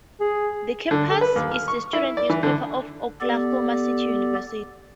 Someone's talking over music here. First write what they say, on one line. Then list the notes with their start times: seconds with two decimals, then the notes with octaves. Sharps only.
"The Campus" is the student newspaper at Oklahoma City University.
0.20 G#4
0.91 D3
1.10 A4
1.21 B4
1.36 D#2
1.52 F6
1.68 C#6
1.93 E4
2.17 D5
2.29 E3
2.43 D3
3.21 B3 G4 A4 D5